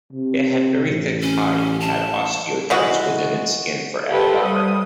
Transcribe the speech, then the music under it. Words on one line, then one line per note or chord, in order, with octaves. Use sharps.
It had very thick hide and had osteoderms within its skin for added armor.
C3
A1
C#4
A5
E3 G#3 F#4
G4 A4 B4 C5 G5
G3 D#6